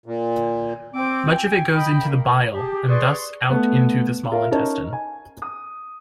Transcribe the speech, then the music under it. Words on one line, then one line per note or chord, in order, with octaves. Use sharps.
Much of it goes into the bile and thus out into the small intestine.
A#2
C4 D6
G5 G#5
D#5 B5
A#3
G4 G#4 A5
G#4 B4 D5 C6 C#6
A3 B3
F4 A#4 E5
C#4 D#4 A#4 A5
G#5
D#6